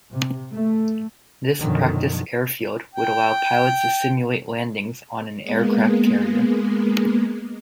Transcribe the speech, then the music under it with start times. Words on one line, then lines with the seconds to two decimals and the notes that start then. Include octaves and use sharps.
This practice airfield would allow pilots to simulate landings on an aircraft carrier.
0.11 C3
0.52 A3
1.60 F#2 B2 D3 D#3 F3
2.95 G5
5.43 G#3 A#3 B3